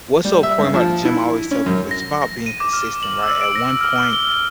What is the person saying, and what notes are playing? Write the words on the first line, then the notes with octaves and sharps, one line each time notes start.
what's so important about the gym, I always tell people, it's about being consistent, right? At one point,
G3
E5
G2
F3
E4
C#4
F#2
A#6
A#6
D#7
D6
F6
F#7
E6
D7
A#6
F6
F6
G7